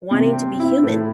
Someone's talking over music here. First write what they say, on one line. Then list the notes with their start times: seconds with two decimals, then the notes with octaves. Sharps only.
wanting to be human.
0.11 C3
0.33 C4
0.60 E4
0.83 A2